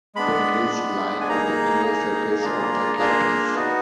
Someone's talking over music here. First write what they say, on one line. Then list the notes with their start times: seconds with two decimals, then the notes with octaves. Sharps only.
The gills lie on the inner surface of the carapace.
0.15 G#3 B3 D4 B5
0.72 G#3 B3 D4
1.21 G#5
1.29 A#3 D#4 G#4 A#5
1.85 A#3 D#4 G#4
2.42 A#3 D4 F4 G#4 A#5
2.99 A#3 D4 F4 G#4
3.55 B3 D#4 F#4